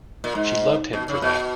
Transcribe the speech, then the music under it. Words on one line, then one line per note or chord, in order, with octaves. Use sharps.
She loved him for that.
A#2
G#2
B2
C#3
B2